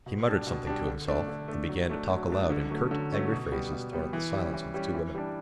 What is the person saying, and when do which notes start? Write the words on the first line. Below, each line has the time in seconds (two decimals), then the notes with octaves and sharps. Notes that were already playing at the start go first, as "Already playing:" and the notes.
He muttered something to himself, then began to talk aloud in curt, angry phrases thrown at the silence of the two women.
0.06 B2
0.26 G3 D4
0.47 B2
0.67 G3 D4
0.87 D3
1.07 A3 D4
1.28 D3
1.48 A3 D4
1.69 F#3
1.89 A3 D4
2.09 F#3
2.30 A3 D4
2.50 D3
2.70 F#3 A3 C#4
2.91 D3
3.12 F#3 A3 C#4
3.32 B2
3.52 G3 B3
3.73 B2
3.93 G3 B3
4.13 E3
4.34 G3 C#4
4.54 E3
4.74 G3 C#4
4.94 E3
5.15 G3 D4